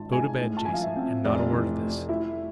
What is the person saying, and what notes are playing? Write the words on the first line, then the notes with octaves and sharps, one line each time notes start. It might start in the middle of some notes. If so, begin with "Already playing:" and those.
"Go to bed, Jason--and not a word of this."
Already playing: G#1 A5
G#2 G#5
A2
A5
F3 G#5
F5
E5
C4
F1 D5
E3
A3
E4 E5